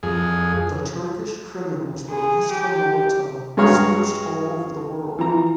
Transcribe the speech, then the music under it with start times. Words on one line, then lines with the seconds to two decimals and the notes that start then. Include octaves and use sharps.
The Turkish criminals released from Malta dispersed all over the world.
0.03 F2 G#4
2.10 G#4
2.51 G4
3.57 G2 G#3 F#4 C#5 A#5 F6
5.19 E3 F3 A#5